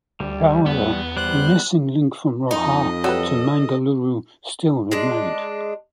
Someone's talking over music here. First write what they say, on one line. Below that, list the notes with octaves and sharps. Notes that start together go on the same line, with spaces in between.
However, the missing link from Roha to Mangaluru still remained.
D2 G3
E2 B3
G3 B3 C5 F#6
F2 D#4 D#5
F#3 G3 A4 B4
G#3 D4